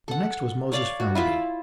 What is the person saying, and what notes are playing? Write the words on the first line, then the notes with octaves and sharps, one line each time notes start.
The next was Moses Firmby.
A4 F#5
C#5 D5 F5
F#4
E4 F4 E5 B5